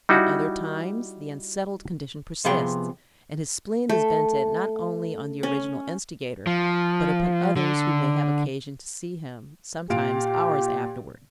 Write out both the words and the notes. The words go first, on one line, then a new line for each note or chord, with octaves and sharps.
At other times the unsettled condition persists, and his spleen is vented not only on the original instigator but upon others who may have occasion to see him, sometimes hours afterward.
G3 D#4 E4 F#4
C3 F3 B3 G#4 G5
A3
C#4
F3
D3
A#2 G4 F5 D7